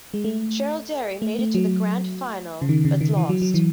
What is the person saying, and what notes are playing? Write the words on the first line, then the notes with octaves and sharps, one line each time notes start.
Jerilderie made it to the grand final but lost.
G#3
A3
A3
A3
F#3
C#3
D#3
C#3
D#3
E3
F#3
F#3
E3